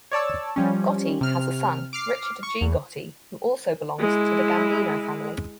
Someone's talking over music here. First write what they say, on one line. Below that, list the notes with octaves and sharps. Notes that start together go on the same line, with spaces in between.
Gotti has a son, Richard G. Gotti, who also belongs to the Gambino family.
C#5 D5 A5 E6
F3 G3 C#4
C3 F6
D6 F6 C7
C#6
E2
G#3 E4